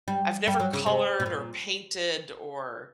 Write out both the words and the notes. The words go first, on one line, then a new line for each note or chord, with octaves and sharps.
I've never colored or painted or
G3
G3
F#3
C#3
C3
B2
A#2